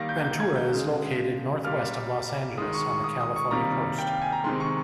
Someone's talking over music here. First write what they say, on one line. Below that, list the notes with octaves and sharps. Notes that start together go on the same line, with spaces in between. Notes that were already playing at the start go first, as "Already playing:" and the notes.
Ventura is located northwest of Los Angeles on the California coast.
Already playing: D#3 G3 A#3 A#6
G6
G6
G#6
G6
C#3 G#3
A#2 G3 A#3 F6
D#3 G#3 D#6
C#6
C#6
D#6
D#6
C#6
C3 D#3 G3 A#3 A#5
G5
F5
G#5
A#5
C3 D#3 G#3 C6
C#6